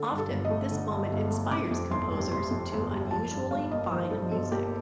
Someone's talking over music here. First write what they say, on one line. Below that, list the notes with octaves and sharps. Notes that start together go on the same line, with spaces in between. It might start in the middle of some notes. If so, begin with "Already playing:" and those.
Often, this moment inspires composers to unusually fine music.
Already playing: D3 A4
G2
A4
G1
D#5
A3
D3
G2
G1
A3
C3 D6
F2
G1 C6
G3
C3 C6
F2
G1
G3
F3 A5
G2
G1 F5
A#3 D#5
F3 C5
G2 A4
G1 A4
A#3 G4